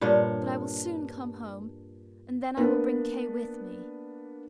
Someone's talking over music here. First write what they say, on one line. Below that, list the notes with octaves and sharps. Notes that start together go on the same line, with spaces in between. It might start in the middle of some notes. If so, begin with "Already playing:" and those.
But I will soon come home, and then I will bring Kay with me.
G2 A#2 D4 C#5
A#3 B3 D4 B4